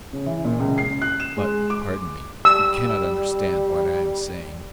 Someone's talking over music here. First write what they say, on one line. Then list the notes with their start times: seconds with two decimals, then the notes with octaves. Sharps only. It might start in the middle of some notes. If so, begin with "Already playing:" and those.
But, pardon me, you cannot understand what I am saying.
0.13 C#3
0.26 E3
0.45 A#2
0.60 C#2
0.78 C7
1.02 F#6
1.20 E7
1.37 G#3
1.70 D6
2.45 G3 E6